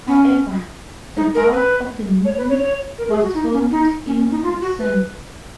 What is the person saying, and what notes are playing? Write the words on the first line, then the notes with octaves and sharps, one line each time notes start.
However, the bulk of the movie was filmed in Hudson.
C#4
D#4
A#4
B4
C#5
B4
C#5
C#5
A#4
G#4
F#4
D#4
C#4
D#4
C#4
C#4
D#4
F4
F#4
B4